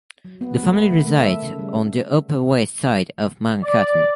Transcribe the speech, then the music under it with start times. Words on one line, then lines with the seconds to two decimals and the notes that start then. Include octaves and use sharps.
The family resides on the Upper West Side of Manhattan.
0.25 F#3
0.41 B3
0.64 A3
0.91 D#3
1.07 A3
1.22 E5
1.43 C#3
1.59 G3
3.63 D5